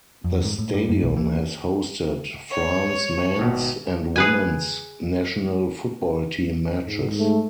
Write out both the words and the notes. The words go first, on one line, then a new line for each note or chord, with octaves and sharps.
The stadium has hosted France men's and women's national football team matches.
F2
G#2
A2
G2
F#2
B1
E3
C#5
G#1 B2
G#4 B4 G#5
G#2
A3